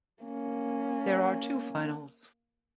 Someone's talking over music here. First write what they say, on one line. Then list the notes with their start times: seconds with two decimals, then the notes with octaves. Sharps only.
There are two finals.
0.23 A#3 C#4